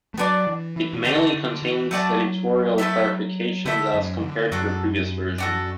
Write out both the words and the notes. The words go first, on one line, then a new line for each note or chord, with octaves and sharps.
It mainly contains editorial clarifications as compared to the previous version.
A3
F#3 B3 D4 B4 D5
E3
E3
B2
D3 A3 F#4 D5 A5
D3
E3
F#3 A3 F#4 D5 A5
A3 E4 A4 E5
D3 A3 E4 A4 E5
F#2
E3
D3
F#2 D4 F#4 A4
D4 F#4 A4